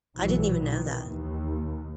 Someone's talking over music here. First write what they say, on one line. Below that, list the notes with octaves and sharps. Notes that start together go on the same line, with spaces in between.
I didn't even know that.
B1 A#2 E3 F#3
B2 D#3 E3
D#2